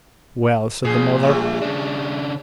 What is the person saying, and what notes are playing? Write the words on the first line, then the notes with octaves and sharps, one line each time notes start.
"Well?" said the mother.
A#2 F3 G#4
G3 A3
C#3 D4